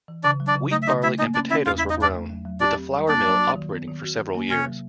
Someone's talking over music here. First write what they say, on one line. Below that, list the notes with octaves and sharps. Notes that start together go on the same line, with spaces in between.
Wheat, barley and potatoes were grown, with a flour mill operating for several years.
E3
C#3 D4 D5
F#3
D4 D5
C#3
A3 D#4 D#5
E5
C#3 D#4 D#5
A3 E4 E5
A#3 D#4 D#5
C#4 D4 D5
C#4 E4 E5
E2 F4 F5
E4 E5
E2
D#4 D#5
E2 D4 D5
A3
F#3
F#3
D4 G4 D5
C4
G3
A#3 D4 D5
F#3
F#4
D#3
B3
D#3
F#4
F#4
A#3
C3 C#4 C#5
F#3